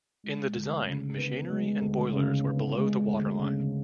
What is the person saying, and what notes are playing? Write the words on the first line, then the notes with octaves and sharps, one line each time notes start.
In the design machinery and boilers were below the waterline.
G#3
D2
C#3
B3
G#3
D2
C#3
B3
G#3
D2
C#3